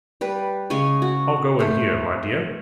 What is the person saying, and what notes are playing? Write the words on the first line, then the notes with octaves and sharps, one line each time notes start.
'I'll go in here, my dear.'
G3 B4
C#3 G#3 C#5 G#5
F#4
A3 C5